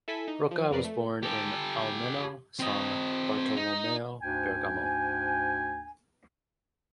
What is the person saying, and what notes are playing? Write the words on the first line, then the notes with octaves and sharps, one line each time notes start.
Rocca was born in Almenno San Bartolomeo, Bergamo.
E4 A4 G#5 B6
D#4
F3
F2 F3 A#4 B4 D5 C7
A3
G4 A4
C4 D#5
D#4
D2 G#2 D4 G5 G#5